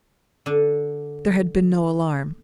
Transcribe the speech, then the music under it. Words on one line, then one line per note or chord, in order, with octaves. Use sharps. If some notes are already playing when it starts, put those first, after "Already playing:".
There had been no alarm.
D3 D4